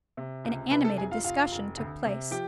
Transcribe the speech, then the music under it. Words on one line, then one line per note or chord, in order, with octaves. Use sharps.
An animated discussion took place.
C3
C#2
C3 B4 B5
A4 A5
F1 G#4 G#5
F4 F5
F1 F4 F5
F1
D2
C3
F3 G4 G5